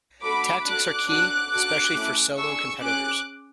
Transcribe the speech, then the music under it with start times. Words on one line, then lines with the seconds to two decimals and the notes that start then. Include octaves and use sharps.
Tactics are key, especially for solo competitors.
0.23 A3 D4 F#4 A4 B5 D6
0.66 D4 F#4 A4 D6 F#6
1.08 D4 F#4 A4 D6 F#6
1.51 D4 F#4 A4 D6 F#6
1.95 A3 C#4 E4
2.37 D4 G#4 C#6 E6
2.80 C#4 G#4 D6 F#6